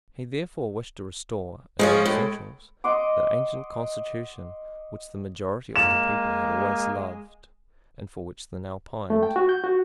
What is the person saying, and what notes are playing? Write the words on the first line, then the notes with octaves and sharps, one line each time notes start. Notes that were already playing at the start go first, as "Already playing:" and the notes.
He therefore wished to restore, in all essentials, that ancient constitution which the majority of the people had always loved, and for which they now pined.
F3 G#3 C#4 G#4
A2
D#5 F#5 C6 D6
G#3 A#3 E7
A3
G5
F#4
G6
F#4